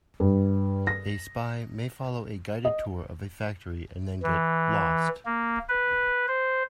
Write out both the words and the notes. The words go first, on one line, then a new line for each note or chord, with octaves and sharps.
A spy may follow a guided tour of a factory and then get "lost".
G2
A#6
D#5
E3
A#3
B4
C5